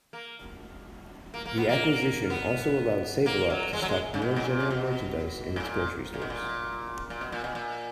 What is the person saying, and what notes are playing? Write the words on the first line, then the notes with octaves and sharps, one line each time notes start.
The acquisition also allowed Save-A-Lot to stock more general merchandise in its grocery stores.
A#3
A#3
A#3
B3
A#3
B3
A#3
F#3
G#3
F#3
G#3
C#3
B2
G#2
A#2
C#3
B2
G#2
A#2
A#2
B2
A#2
A#2
B2
A#2
B2
A#2